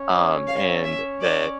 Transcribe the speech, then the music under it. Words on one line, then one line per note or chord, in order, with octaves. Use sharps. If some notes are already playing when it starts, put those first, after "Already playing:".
um, and the
Already playing: C#4 C#5
F5
E5
D5